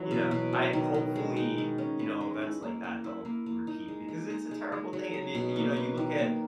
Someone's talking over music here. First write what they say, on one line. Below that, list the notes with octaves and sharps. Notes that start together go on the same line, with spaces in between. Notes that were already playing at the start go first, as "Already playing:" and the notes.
you know, I hopefully, you know, events like that don't repeat, because it's a terrible thing, and, i you know, you look at
Already playing: E3 F#3
B2
B2
F#3
D#3
D#3
G#3
D#4
D#3
C#4
B4
G#3
E4
A#3
A#3
E4
A#3
A#3
D#4
G#3
G#3
D#4
G#3
G#3
F#3
G#4
B2
A#3
B4
D#3
A#3